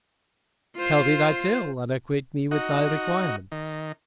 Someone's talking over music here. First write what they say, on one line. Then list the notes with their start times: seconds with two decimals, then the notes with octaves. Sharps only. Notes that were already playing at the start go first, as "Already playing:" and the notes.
Tell me thy tale and acquaint me with thy requirement.
0.76 F4 C5
2.51 D#4 F#4
3.52 D#3